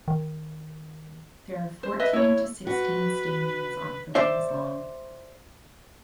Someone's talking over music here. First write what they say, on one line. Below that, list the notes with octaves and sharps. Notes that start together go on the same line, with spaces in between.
There are fourteen to sixteen stamens on filaments long.
D#3
C5
B4 D#5 E5
E4 C#5
F#4 B4
C5 D5 E5